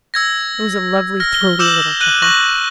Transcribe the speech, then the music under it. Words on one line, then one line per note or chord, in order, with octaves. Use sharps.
It was a lovely throaty little chuckle.
E6 G#6 A#6
F6 A#6
G7
D6 E6 G6 E7 F#7
F#6 D#7 F#7
C#6 F#6 A#6 F#7